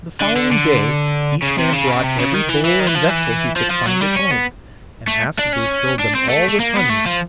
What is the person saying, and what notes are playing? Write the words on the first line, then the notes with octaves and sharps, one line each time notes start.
The following day each man brought every bowl and vessel he could find at home, and Hassebu filled them all with honey.
D3
D3
D3
C#3
C3
C#3
C3
C#3
D#3
E3
E3
D#3
E3
F3
E3
F3
F3
F#3
G3
C#4
B3
A3
D4
C#4
D4
C4
A3
A3
A#3
B3
A3
F3